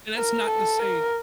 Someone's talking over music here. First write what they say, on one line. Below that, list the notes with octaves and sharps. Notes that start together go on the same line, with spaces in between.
and that's not to say
A#4
A4
A#4